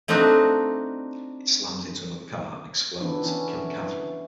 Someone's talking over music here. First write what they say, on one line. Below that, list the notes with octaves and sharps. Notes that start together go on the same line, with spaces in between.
It slams into another car and explodes, killing Kathryn.
A3 C4 D4 D#4 F#4
E3 B3 D4 E4
E3 B3 C#4